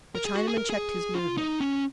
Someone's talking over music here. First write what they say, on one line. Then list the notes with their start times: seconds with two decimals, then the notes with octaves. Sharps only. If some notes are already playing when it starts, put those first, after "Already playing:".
The Chinaman checked his movement.
0.15 A#4
0.25 G#4
0.35 F#4
0.47 G#4
0.58 A#4
0.70 G#4
1.15 F4
1.37 D#4
1.60 C#4